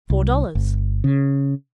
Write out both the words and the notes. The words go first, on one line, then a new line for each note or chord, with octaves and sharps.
"Four dollars."
C2
G1
C#3